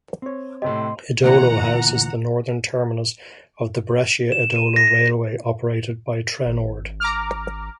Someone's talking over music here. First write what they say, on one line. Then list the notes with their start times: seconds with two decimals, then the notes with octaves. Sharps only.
Edolo houses the northern terminus of the Brescia-Edolo railway operated by Trenord.
0.22 C4 C#5
0.62 A2 C3 G4 D#5 C6
1.24 D2 A#2 E3 F#5 A#5
4.32 E7
4.56 D#7
4.76 A#6
4.88 A#6
6.46 G#1
7.00 A#5 D6 F6